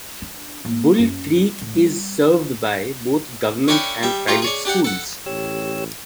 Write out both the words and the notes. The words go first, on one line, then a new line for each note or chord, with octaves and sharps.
Bull Creek is served by both government and private schools.
D4
A#3
F#2
A2
G3
C#4 D4 E4 A4 G5 G#5
G3 E5 G5
A3 F4 G4 A#4
G#4 C#5 D5
D4 G4 D5 F#5
A4 F#5
A1 G4 C#5 E6